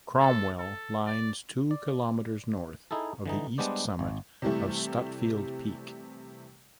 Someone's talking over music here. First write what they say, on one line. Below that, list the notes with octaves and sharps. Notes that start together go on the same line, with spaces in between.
Cromwell lines two kilometers north of the east summit of Stutfield Peak.
A4
A4
D5
D5
D#4 E4 G#4 A4
D3 E3 D#4
G3 G#3 B3 D4 C5 D5
G#1
C3 E3 G3 A3